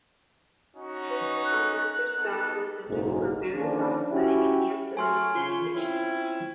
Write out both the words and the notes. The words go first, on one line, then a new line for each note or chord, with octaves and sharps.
Ton Masseurs' style was noted for very fast playing and near-perfect intonation.
C#4 D#4 F#4
B4
F#6
B3 D#4 A4
F#1 B1 G#2
D3 D#3 F3 A#3 C#4 D4
C#4 E4 F#4 G4
F#3 A3 G#5 C6 F6
C#3 F4 C#5 C6
C4 C#4 E4